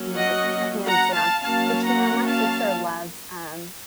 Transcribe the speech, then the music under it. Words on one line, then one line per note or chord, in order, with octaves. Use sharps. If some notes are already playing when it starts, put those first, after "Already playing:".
r hands down but, you know, my sister loves, um,
Already playing: F#3 A#3 C#4
D#5 F#5
F#5 A#5
F5 A5
F#3 A#3 C#4 F5 A5
F#5 A#5
F5 A5